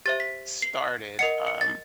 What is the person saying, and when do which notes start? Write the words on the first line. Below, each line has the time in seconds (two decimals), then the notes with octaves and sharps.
started, um,
0.06 G4 C5 E5 A6
0.20 B6
0.62 C7
1.19 A#4 D#5 F#5 C#7
1.47 C#7
1.61 A6